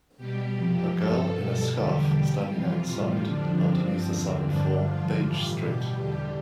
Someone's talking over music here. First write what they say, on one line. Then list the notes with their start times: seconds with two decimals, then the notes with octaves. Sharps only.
A girl in a scarf standing outside underneath a sign for Bage street.
0.17 B2 G3 G4
0.56 F2 C3 F3
0.94 G2 F3 A4
1.32 B2 G3
1.71 E2 D3 G3 G4
2.10 B2 G3
2.48 F2 C3 E3 F4
2.87 A2 G3
3.26 F2 D3 F3 D4
3.64 G2 F3 C4
4.03 E2 D3 F3
4.41 G2 D3 G3 D4
4.80 G2 D3 F3 F4
5.18 A2 E3 G3
5.57 B2 G3 G4
5.96 E2 D3 G3